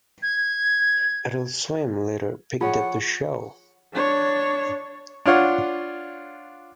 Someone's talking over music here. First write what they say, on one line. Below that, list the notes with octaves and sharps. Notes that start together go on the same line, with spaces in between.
Adult Swim later picked up the show.
G#6
F3 F4 G#4 C#5 F#5
D4 C#5
D4 F4 C#5 F#5